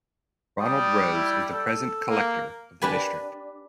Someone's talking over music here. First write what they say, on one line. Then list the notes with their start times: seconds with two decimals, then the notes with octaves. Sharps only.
Ronald Rose is the present collector of the District.
0.60 G3 D#6
1.12 E4
1.53 A4
2.10 A#3
2.82 D4 G4 B4 G#5